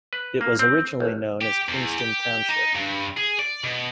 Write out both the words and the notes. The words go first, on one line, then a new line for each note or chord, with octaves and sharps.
It was originally known as Kingston Township.
B4
A#3
C4
A1
G4
E2
G4
D#4
G2
G#4
D5
B2